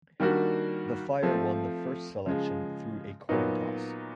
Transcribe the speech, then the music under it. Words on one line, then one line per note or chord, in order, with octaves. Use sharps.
The Fire won the first selection through a coin toss.
D#3 G3 A#3 D4 F#4
F3 A3 C4
C#3 F3 G#3
A#2 F#3 B3 D#4 F#4